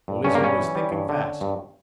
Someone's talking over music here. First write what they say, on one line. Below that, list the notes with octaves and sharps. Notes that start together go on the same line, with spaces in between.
The Lizard was thinking fast.
G2
G2 C#4
A#3
G3 C#4
E3
G3
G2
D3
D3
G2